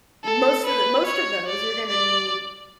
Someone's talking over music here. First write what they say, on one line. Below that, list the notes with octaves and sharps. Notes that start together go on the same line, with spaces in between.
most of the most of those, you're gonna need
A4
B4
C#5
D5
D5